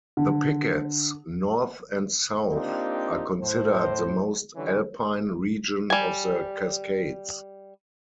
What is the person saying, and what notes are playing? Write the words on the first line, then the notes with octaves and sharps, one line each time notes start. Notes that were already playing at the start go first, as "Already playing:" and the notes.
The Pickets, north and south, are considered the most Alpine region of the Cascades.
D3
A#3 C4 D4 D#4 F4 G4
A2 C5
D3 E3 G3 C#4
G3 G#5